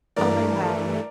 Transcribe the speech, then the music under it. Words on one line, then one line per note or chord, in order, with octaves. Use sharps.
Oh my god,
G2 E3 A3 A#4 D5